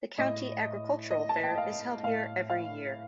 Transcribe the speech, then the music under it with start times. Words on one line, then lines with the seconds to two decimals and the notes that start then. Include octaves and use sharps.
The county agricultural fair is held here every year.
0.18 A2 D#5
1.11 D#5
1.29 A5
1.43 G5
1.58 F5
2.03 A2 F5
2.50 F5